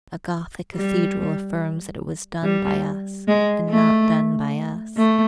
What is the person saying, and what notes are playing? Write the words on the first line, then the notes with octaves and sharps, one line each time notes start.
A Gothic cathedral affirms that it was done by us and not done by us.
G3
G3
G#3
A3
A3